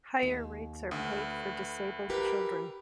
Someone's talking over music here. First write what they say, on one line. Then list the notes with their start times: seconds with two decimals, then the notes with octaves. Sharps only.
Higher rates are paid for disabled children.
0.23 D#2
0.91 D2 B4
2.10 G4 A#4 B4